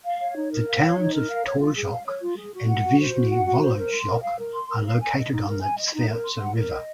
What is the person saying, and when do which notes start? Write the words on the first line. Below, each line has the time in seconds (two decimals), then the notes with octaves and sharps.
The towns of Torzhok and Vyshny Volochyok are located on the Tvertsa River.
0.05 F5
0.21 C#5
0.36 D#4
0.52 A#4
0.67 F5
0.83 C#5
0.99 D#4
1.14 A#4
1.30 F5
1.45 C#5
1.60 F4
1.75 G#4
1.91 F5
2.07 C#5
2.22 F4
2.38 G#4
2.53 F#4
2.69 F#5
2.84 F#4
3.00 C5
3.15 F#4
3.31 F#5
3.46 F#4
3.62 C5
3.77 A#4
3.92 C6
4.07 A#4
4.23 F5
4.39 A#4
4.54 C6
4.70 A#4
4.86 F5
5.01 G#5
5.16 D#5
5.32 D#4
5.48 A#4
5.63 G#5
5.78 D#5
5.94 D#4
6.09 A#4
6.25 C6
6.40 F#5
6.56 A#4
6.71 D#5